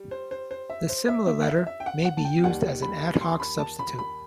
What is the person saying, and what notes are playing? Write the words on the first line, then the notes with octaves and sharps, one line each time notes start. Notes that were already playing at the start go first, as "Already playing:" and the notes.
The similar letter may be used as an ad-hoc substitute.
Already playing: G3
C5
C5
C5
E5
C5
E5
E5
F#5
E5
E5
G5
F#5
F#5
A5
G5
D#2 D#3 G3 F#5
B5
C6
B5
A5
B5
B5